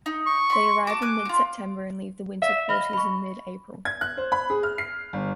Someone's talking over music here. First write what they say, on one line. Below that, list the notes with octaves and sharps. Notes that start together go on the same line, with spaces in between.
They arrive in mid-September and leave the winter quarters in mid April.
D#4
C#6
B5 C6
F#4 A5 D6
G#5 F#6
F4 F#4
E5 F5
D#5 B5 F6
B5 C#6
G#6
F#6
C5
B5
G#4
F6
C7
G1